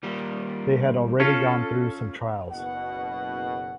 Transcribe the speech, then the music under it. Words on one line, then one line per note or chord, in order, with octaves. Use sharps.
They had already gone through some trials.
D#3 G3 A#3
C#4 F4 A4
F#1 B2 F#5